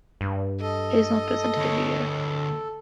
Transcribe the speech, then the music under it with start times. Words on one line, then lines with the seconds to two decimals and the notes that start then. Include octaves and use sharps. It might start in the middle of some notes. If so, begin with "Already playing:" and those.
It is not presented every year.
0.21 G2
0.61 A4 D#5
1.57 D2 C#5